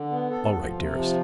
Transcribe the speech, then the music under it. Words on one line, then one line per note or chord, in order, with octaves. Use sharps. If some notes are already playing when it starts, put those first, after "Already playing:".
All right, dearest.
Already playing: D3
B3
A4
F3
C3
F3